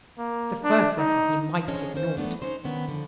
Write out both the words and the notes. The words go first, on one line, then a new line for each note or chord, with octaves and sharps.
The first letter he might have ignored.
A#3
D4
D#4
C#4 D4 G#4 C5 C#5 D#5
A#3 C#4 C5
E3 F#3 A3 B3 D4
C#4 D#4 C5
D#3 B3 C#4 D4 E4
D3 F3